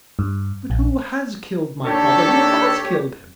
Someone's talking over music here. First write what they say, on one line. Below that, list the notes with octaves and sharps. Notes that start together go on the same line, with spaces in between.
But who has killed my father, who has killed him?
G2
A#1
D#2 A#3 D4 G4 A4 C#5